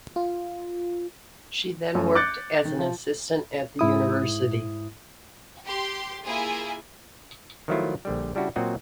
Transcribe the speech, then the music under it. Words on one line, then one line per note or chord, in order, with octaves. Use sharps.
She then worked as an assistant at the university.
F4
F#2 A3 G#5
D6 F#6 G6 A6 C#7
D#3
F3
G#2 E4 D#6
G4 C6
A#3 E4 F4 G#4 G#5
D#3 F3 F#3 A3 E4 F4
A#1 D3 G3
C#3 G3 D4 E4 F#4
A#2 F#3 C4 F#4 D#5